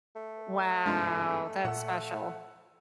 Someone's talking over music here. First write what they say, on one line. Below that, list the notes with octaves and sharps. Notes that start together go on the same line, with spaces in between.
Wow, that's special.
A3
G1 C2 G#2 G#3 D4 F4
A#2 F#5 E6